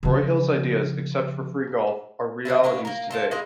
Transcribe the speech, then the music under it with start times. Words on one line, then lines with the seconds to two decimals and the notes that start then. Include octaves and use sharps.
Broyhill's ideas, except for free golf, are realities today.
0.03 C#3 F3
2.45 E3 F#3 D4 E4
2.64 A#3 B3 D4 C#5
2.85 A#3 A#4
3.11 A4 C5 F5
3.31 G#3 A#3 E4 F4